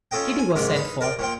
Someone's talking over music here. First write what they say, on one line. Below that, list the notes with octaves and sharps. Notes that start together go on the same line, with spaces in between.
Kitty was sent for.
C#4 F4 A4 D#5 G5
G#5
G#2 C3 A#4 D6
D#4 B4
A#4 D5 G5
A#2 F3 G5